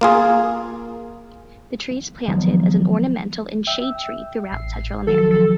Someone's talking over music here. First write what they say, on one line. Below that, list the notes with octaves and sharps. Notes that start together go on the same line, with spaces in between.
The tree is planted as an ornamental and shade tree throughout Central America.
A#3 F4 G#4
D#3 F3 F#3 B3
E5 G5 E6
A1 C7
D#3 F3 F#3 A4